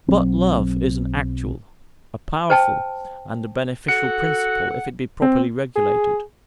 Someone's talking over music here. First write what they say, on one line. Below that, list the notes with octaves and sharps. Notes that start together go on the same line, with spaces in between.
But love is an actual, a powerful, and a beneficial principle, if it be properly regulated.
B1 F#3 C4
C5 G5 A5
F#4 A4 F#5 C#7
C4
G#4